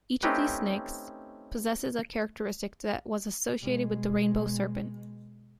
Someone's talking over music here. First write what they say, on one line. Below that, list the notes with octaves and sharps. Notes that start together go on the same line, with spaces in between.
Each of these snakes possesses a characteristic that was associated with the Rainbow Serpent.
A3 C4 C#4 D#4 G4 B4
B2 G#3